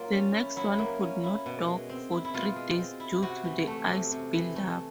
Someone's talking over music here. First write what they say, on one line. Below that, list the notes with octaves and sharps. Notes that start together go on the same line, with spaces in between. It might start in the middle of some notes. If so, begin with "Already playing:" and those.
The next one could not dock for three days due to the ice buildup.
Already playing: F#3 A#3 F4
C#4
E4
F#3 E4
A#3
C#4
E4
B2
G#3
C4
E4
E4
B2 F4
G#3
C4
E4
C3 F#4
E3
A3
C3
C3
E3
A3